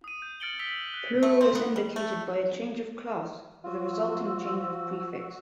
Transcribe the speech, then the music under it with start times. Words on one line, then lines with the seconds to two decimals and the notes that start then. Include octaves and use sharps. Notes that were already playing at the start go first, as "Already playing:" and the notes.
Plural is indicated by a change of class, with a resulting change of prefix.
0.04 D#6 D#7
0.22 G6
0.40 F6 A6 C#7 D7 F#7 G7
0.59 E6 B6 F7 G7
0.94 F#6
1.23 A3
1.41 C4
1.55 B3
1.76 G3
1.96 A3
3.64 F3 F4 F#4 E6